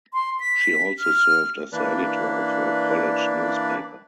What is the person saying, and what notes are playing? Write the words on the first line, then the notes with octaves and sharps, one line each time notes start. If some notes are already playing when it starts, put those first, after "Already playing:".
She also served as the editor of her college newspaper.
C6
B6
F6
E3 A#3 D4 B4 D5